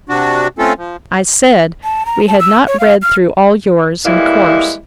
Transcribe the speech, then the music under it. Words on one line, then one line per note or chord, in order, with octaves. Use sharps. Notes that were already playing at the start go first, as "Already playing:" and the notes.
'I said, we had not read through all yours in course.
C3 D4 F#4
A3 C4 C#4 F4 A4
F3
A5
A#5
A5
E6
C#5
F5
F6
E3 G3 G#3 A#3 E4